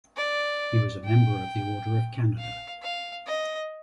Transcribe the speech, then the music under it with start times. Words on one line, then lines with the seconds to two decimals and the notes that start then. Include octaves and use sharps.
He was a Member of the Order of Canada.
0.17 D5
1.05 G5
2.38 F5
2.82 F5
3.27 D#5